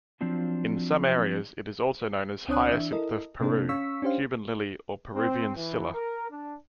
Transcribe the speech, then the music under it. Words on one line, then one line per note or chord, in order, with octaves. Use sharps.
In some areas it is also known as hyacinth-of-Peru, Cuban-lily, or Peruvian scilla.
F3 F#3 C4 D4 F4
C#2 C4 D4 C#5 D#6 F#6
E3 D4 E5
E4 A4 A#4 D#5
C3 A#3 C4 D4 A4
C#4 F5 C#6 E6 B6
C#4 D4 G4 C5 F5
C4
E3
A#4
D4